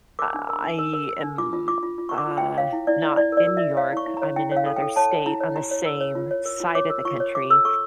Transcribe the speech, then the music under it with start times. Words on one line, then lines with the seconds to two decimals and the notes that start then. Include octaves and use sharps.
I am, uh, not in New York, I'm in another state on the same side of the country,
0.19 A#4 D6
0.34 D4
0.49 A#4
0.63 D4
0.79 A#4
0.93 A#4
1.09 A#4
1.23 D4
1.38 F4 D6
1.53 F4
1.68 F4 D6
1.83 F4
1.98 F4
2.09 C#6
2.13 A#4
2.18 D6
2.28 F4
2.38 F4 G5
2.57 C#5 F5
2.73 E4
2.87 E4 D5
3.02 E4
3.17 E4 D5
3.32 A#4 D5
3.47 A#4
3.57 A#4 E5
3.77 C#5 F5
3.92 E4 C#6
4.07 E4
4.17 C#5 A#5
4.36 E4 G5
4.51 C#5
4.57 F5
4.66 A4
4.76 G5
4.82 A4
4.96 C#5 A5
5.11 C#5
5.26 E4 A#5
5.41 C#5
5.56 G4 A#5
5.71 C#5
5.86 A#4
6.01 C#5
6.15 F4
6.31 C#5
6.45 A#4
6.60 F4
6.75 C#5 D6
6.90 A#4
7.05 F4 C#6
7.20 C#5
7.35 C#5 D6
7.50 A4 E6
7.65 A4 C#6